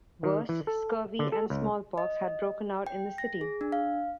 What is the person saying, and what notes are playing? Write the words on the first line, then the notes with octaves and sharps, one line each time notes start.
Worse, scurvy and smallpox had broken out in the city.
D#3
E3
A4
D3
A4
C#2
D#5
G5
A#6
G#4
D4
F5